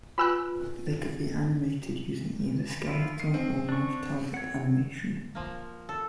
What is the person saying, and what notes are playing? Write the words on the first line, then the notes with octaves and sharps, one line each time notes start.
They could be animated using either skeletal or morph target animation.
F4 B4 G#5 B5 E6 F#6
F3 E4 F4
D#3 C7
C4
D4 C#6
C#5 F#5
F3 A#3
A4